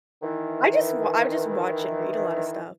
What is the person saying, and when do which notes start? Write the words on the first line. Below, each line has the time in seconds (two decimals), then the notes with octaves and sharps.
I just wa I just watch and read a lot of stuff.
0.23 D#3 E3